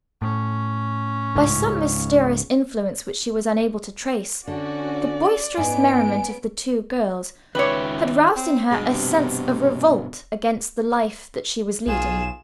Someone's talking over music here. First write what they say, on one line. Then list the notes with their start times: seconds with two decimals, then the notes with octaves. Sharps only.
By some mysterious influence which she was unable to trace, the boisterous merriment of the two girls had roused in her a sense of revolt against the life that she was leading.
0.22 A2 C#4
1.35 C#2 G#2
4.47 D3 C#4 F#4 D5
5.57 G#2 B3 C#4 G#5 D7
7.55 C#2 D#3 G4 B4 C#5 E5
8.36 C4
8.71 G2 B2 G#3
8.92 C3
11.86 B1 F4 G#4 E7